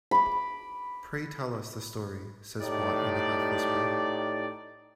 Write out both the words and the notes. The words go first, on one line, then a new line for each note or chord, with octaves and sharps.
"Pray tell us the story," says Watt in a half whisper.
B5 D6
A2 D#4 G4 D5